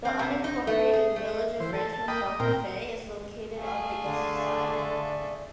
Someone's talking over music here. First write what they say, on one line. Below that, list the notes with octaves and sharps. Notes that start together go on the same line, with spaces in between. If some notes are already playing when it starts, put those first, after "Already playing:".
The unincorporated village of Rancho Santa Fe is located on the east side.
C4
C3
D#4
A3
G#4
A3
E3 C5
A4
A5
A#3 D#5 G5 B5
D#5
A#2 C4 A#4 G5
A3 G#4 F5
D3 D5